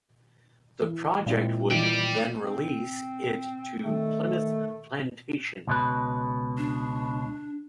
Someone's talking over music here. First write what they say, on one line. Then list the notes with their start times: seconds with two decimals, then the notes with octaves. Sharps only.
The Project would then release it to Plimoth Plantation.
0.81 E3
1.26 A#2 G#3 C4 E4
1.71 D#3 E3 D#4 D5 G5
2.42 C4
3.84 D#3 A3
5.67 C#2 B2 B4
6.58 D4